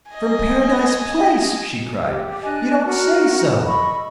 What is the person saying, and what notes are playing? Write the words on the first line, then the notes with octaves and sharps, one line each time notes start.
'From Paradise Place!' she cried, 'you don't say so!
D#5 G#5
G4
D4 D#5 G#5 F#6
F#4 A#4
D#5 B5 C#6 E6